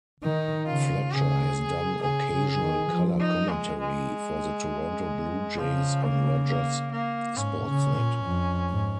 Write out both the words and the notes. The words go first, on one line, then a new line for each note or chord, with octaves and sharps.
Fletcher has done occasional color commentary for the Toronto Blue Jays on Rogers Sportsnet.
D#3 D#4
C#3 F4
C#3 G#4
C#3 G#4
C#3
D#3
F3
D#4
G#3
G#3
C#3 F3
A#3
A#3
A#3
G#2 C#4
C#3
A#2
F2
G#2